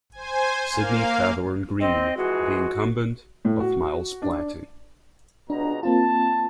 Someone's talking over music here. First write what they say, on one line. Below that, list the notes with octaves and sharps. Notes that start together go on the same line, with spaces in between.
Sidney Faithorn Green, the incumbent of Miles Platting.
C5 G#5
A#3 F5
C4 D#5
E3 F3 G#3 F#4
A2
F#4
D4
C#2 B2 D4 A#5
A#3 C4 F4 A5